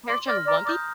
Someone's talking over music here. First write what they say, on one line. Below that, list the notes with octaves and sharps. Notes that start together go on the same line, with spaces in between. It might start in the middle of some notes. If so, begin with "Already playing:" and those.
character in One Pi
D5 C6
D5 F6 A#6
D5 A#5
D5 D#6 G6